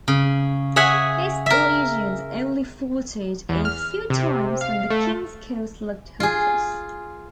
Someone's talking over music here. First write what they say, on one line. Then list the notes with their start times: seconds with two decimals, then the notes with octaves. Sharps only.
His allegiance only faltered a few times when the king's cause looked hopeless.
0.08 C#3
0.76 G#4 C#5 E5 F#5 G#5
1.46 A#4 E5
3.49 E2
3.65 F6
4.10 C3
4.61 F5
4.90 A3
6.20 F4 G#4